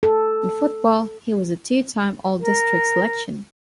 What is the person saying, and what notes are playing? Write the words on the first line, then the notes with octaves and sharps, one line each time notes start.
In football, he was a two-time All-District selection.
A4
A#4